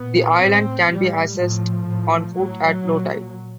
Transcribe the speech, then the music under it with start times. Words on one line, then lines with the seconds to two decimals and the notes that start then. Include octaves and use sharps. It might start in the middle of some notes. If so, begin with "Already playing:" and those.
The island can be accessed on foot at low tide.
Already playing: A#2 B3
0.41 A2 C4
0.90 A2 G3
1.37 A2 F3
1.86 A2
2.34 A2 F#3
2.82 A#2